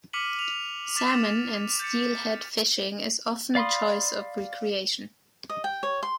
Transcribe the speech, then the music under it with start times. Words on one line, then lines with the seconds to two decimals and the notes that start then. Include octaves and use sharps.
Salmon and steelhead fishing is often a choice of recreation.
0.13 D6 F6 B6 C#7 D#7 F#7
0.39 F7
0.96 D6 A6 B6 E7
1.10 E7
1.80 G6 A6 C#7
3.55 D5 F5 B5 C6 D#6
5.49 D#5
5.64 G5
5.83 C#5
6.03 C6